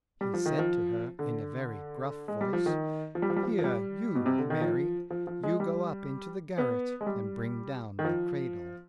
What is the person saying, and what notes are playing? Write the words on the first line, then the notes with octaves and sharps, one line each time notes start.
He said to her in a very gruff voice, "Here you, Mary, you go up into the garret and bring down the cradle."
G3
F3
D#3
F3
D3
G#3
G3
F3
D#3
F3
G3
F3
G3
F3
F3
G3
B2
C3
D3
D#3
F3
F3
F3
G#3
G3
B3
G#3
G3
D#3
F3